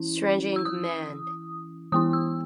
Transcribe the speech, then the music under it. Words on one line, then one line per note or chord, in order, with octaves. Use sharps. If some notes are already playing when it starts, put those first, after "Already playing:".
Strange in command.
Already playing: E3 C#4 E4
E6
D#6
E3 B3 E4 D#6
E6